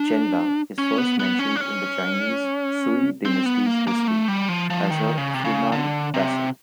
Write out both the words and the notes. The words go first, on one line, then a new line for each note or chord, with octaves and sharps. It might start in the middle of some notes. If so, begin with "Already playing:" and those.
Chenla is first mentioned in the Chinese Sui dynasty's history as a Funan vassal.
Already playing: D4
C#4
B3
B3
C#4
D4
C#4
C4
B3
A#3
A#3
A3
G3
F3
F3
D#3
C#3
C3
C#3
D3
C3